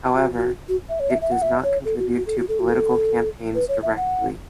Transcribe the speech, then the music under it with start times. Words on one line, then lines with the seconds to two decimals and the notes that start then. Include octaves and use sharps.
However, it does not contribute to political campaigns directly.
0.15 F#4
0.36 F#4
0.69 F#4
0.89 E5
1.00 C#5
1.11 E5
1.21 E5
1.32 F#5
1.42 E5
1.63 C#5
1.85 A4
1.99 F#4
2.13 F#4
2.27 A4
2.38 F#4
2.49 A4
2.59 F#4
2.70 A4
3.55 B4
3.68 C#5
3.83 E5
3.97 F#5